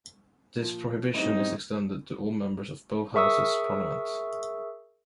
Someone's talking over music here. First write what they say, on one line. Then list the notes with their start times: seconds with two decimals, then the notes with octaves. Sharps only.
This prohibition is extended to all members of both houses of Parliament.
0.62 A#2 F3
1.14 A1 G#2 G3 C4 D#4
3.14 G#4 A#4 E5 C#6 D#6 E6